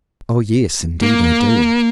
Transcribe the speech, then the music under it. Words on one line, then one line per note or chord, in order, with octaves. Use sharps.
"Oh, yes, indeed I do!"
A#3